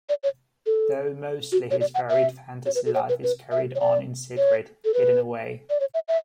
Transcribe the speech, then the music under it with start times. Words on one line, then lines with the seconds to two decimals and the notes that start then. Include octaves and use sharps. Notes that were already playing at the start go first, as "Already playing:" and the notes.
Though mostly his varied fantasy life is carried on in secret, hidden away.
0.09 D5
0.23 C#5
0.66 A4
1.52 F#4
1.71 C#5
1.81 D5
1.95 F#5
2.09 E5
2.66 C#5
2.75 B4
2.86 A4
2.94 C#5
3.09 B4
3.23 B4
3.52 E5
3.75 C#5
3.80 D5
4.37 C#5
4.85 A4
4.94 B4
5.70 D5
5.80 C#5
5.94 E5
6.08 E5